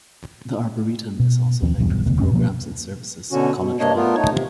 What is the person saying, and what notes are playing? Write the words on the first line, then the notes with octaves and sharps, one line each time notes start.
The Arboretum is also linked with programs and services College-wide.
B2
D#2 F3 C4
D#1 B1 E2 G2
E1 D2 C3 B3
F2 G#2 C4 C#4
B2 F3 A#3
B2 D3 C#4 F#4
B2
G2 C3 A#3 D4 C#5 D#5
A3 B3 D4 F4 A#4
A3 D#4 C#5
C3